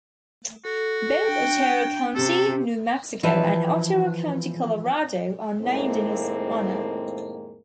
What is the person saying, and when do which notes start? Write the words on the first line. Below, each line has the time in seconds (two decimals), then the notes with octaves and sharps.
Both Otero County, New Mexico and Otero County, Colorado are named in his honor.
0.65 F#4 A4
1.28 D4 G5
2.15 C3 C#4 G4 A4
3.23 E3 F3 B4 A5
5.61 F2 A2 D#3 G#3 A#3 C4